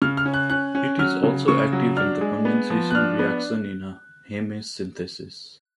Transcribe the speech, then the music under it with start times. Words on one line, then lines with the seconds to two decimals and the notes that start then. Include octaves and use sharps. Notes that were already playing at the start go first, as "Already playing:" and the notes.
It is also active in the condensation reaction in heme synthesis.
0.02 C#3 F6
0.17 F6
0.26 C#4
0.34 F#6
0.50 C#4 F#6
0.75 C#4
0.99 F#3 F6
1.24 C#3
1.48 C#3 C#6
1.73 F#3
1.97 D4 F6
2.21 G#3
2.45 B3
2.70 F3
2.90 F#6
2.95 D4 F6
3.19 B3